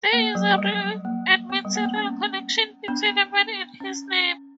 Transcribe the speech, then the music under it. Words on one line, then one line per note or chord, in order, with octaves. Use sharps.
There is a real and material connection between a man and his name.
A#3
F#3
G3
A#3
B3
G3
A#3
B3
C#4
B3 D4
C#4